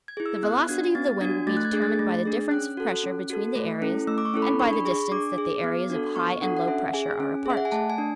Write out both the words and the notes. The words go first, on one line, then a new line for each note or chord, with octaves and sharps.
The velocity of the wind will be determined by the difference of pressure between the areas and by the distance that the areas of high and low pressure are apart.
G#6
E4 G#4
E6
B3 F#6
D4 F#4 G#6
B3 A6
D4 F#4 G#6
A3 A6
F#6
G#6
D4 G#4
A6
A3
D4 G#4
C#4 F#6
F#4 A4
C#4
F#4 A4
A3
C#4 E4 A4
A3 E6
D6
C#6
C#4 E4 A4
B5
D4 C#6
B5
G#4 C#6
D4 D6
G#4
B3
D4 F#4 A4
B3 C#6
D4 F#4 A4 F#5
F#5
C#4 E5
G#4 G#5
C#4
G#4 E5
F#5
G#5
A3 A5
G#5
D4